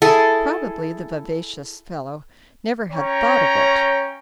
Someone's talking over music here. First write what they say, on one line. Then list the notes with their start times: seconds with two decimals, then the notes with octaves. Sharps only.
Probably the vivacious fellow never had thought of it.
0.02 E4 G#4 A4
2.92 C#4 C#5 G5 A#5